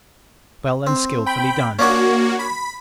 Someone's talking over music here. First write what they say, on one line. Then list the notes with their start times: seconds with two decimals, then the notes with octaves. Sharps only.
Well and skillfully done.
0.87 C4
1.26 G5 B5
1.79 A#3 C#4 D4 F#4 C#5
2.39 B5